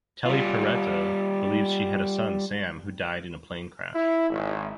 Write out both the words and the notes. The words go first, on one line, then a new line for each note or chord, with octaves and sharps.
Telly Paretta believes she had a son, Sam, who died in a plane crash.
G3 F4
E4
G#1